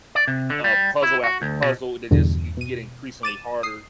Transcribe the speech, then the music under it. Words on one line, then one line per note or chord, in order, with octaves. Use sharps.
a puzzle after puzzle, they just i get increasingly harder-
D5
C3
D3
G3
E4
F#4
D2
B2
E2 G2 B2 D3
B2 D#7
D6 A6 D#7 E7
D#6 C7